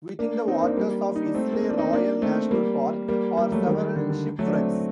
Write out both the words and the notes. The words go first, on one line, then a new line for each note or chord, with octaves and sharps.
Within the waters of Isle Royale National Park are several shipwrecks.
A#3 D4
C4 D#4
A#3 D4
G3 A#3
D#4
D4
A3 C4
A#3
C4
D4
C4 D#4
A#3 D4
A3 C4
G3 A#3
G3 A#3
G3 A#3
F#3 A3
D#3 G3
D3
D3
F#3 A3
D4
A3 C4